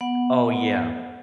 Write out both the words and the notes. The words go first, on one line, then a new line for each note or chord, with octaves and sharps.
Oh, yeah.
B3 F#5